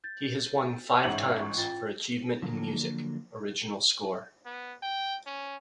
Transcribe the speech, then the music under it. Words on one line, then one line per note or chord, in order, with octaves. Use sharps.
He has won five times for Achievement in Music - Original Score.
G6 A6
A1 G#2 C#5 E5 F#5 F#7
C#6
F4 G5 A6
D3 F3 F#3 A#3
B3
G5
C#4